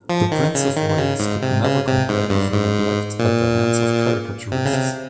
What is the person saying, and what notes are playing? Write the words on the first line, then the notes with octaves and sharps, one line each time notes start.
The Prince of Wales could never complain of neglect at the hands of caricaturists.
F3
D#3
C#3
D#3
D#3
C#3
G#2
C3
C#3
C3
G#2
G2
G#2
A#2
C3
C#3
C3